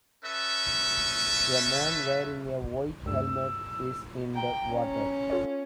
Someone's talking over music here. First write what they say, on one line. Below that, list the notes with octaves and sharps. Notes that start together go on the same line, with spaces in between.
A man wearing a white helmet is in the water.
C#4 A4 B4 E5
D2 G2 E6
G5 A#5
C#4
F4 A4 C#5